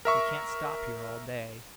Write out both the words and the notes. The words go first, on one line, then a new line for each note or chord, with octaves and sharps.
We can't stop here all day.
A#4 E5 C#6